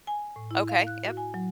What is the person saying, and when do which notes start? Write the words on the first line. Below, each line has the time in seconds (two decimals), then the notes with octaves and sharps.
Okay, yup.
0.07 G#5
0.36 A2
0.51 E4
0.69 F5
0.87 F#6
1.04 F#4
1.17 G#5
1.34 F#3